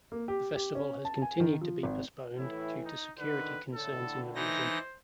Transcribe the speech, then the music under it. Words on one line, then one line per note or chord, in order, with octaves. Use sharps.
The Festival has continued to be postponed due to security concerns in the region.
A#3
G4
G4
C#4
A5
G#5
D#3
F3
G#1
A2 E3 E4
D#4
D3 D#3 B4
A2 D3 A4
E3 D#4 C5 A#6